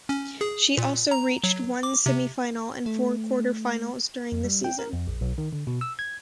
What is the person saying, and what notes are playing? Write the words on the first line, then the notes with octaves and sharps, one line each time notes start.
She also reached one semifinal and four quarterfinals during the season.
C#4
G#4
A#2
A#5
F#3
D6
C3
A3
F2
G3
G5
A#4
F2
A#1
B1
D#3
D3
B2
E6
G#6